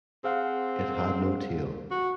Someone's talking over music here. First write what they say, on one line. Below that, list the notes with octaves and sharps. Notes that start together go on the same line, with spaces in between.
It had no tail.
C4 G#4 F5 F#5
F#4